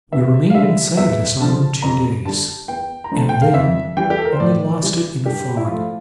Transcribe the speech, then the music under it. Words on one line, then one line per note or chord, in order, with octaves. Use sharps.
We remained in sight of this island two days, and then only lost it in a fog.
E2 E5
F5
D3 G3 E5
E2 E5
D3 F3 A5
F2 A#5
D3 G3 A5
E2 G5
A#5
D3 F3 A3 A5
G5
F5
F2 E5
E3 G3 G5
G4
A4
A#4
C5
A2 D5
E3 G3
G2 G4
E4
F3 A3 F4